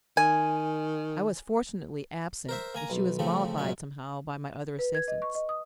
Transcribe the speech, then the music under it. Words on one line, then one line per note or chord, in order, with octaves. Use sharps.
I was fortunately absent, and she was mollified somehow by my other assistants.
D#3 G#5
A#4 C5 E5
A#3 G#5 A#5
B1
C#3 F3 A3 C4
F#2 A#2 G#3 C#4
B4
G#6
D#5
C#6
D#5
D#6